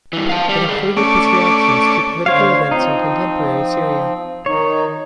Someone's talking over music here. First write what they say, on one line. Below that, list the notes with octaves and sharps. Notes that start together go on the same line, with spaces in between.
It included his reactions to political events in contemporary Syria.
G2 E3
F5 A5
G3
D#3 G#4
A3 C#4 D5
D2 D3 C5 C#5 F5
F3 C4 D#4
D#3 D#4 C#5